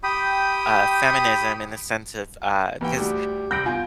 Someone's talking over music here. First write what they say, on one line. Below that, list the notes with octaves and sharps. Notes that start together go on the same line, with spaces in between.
uh, feminism in the sense of, uh because
G4 G5 B5 D#6
D#2 E3 G5
D2 G3 G4
C2 B5 G6 A#6 D7
B3 F4 G#5